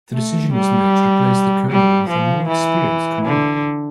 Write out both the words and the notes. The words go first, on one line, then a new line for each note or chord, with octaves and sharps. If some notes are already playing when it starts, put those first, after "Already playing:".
The decision was made to replace the colonel with a more experienced commander.
A3
G3
G3
F3
E3
D3